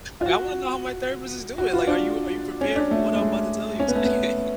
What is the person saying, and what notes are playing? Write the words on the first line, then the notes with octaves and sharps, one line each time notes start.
Like, I wanna know how my therapist is doing. Like, "Are you are you prepared for what I'm about to tell you today?"
F4
F#4
F#4
F4
D4
C#4
D4
A3
A3
G#3
C#4
B3
A3
B3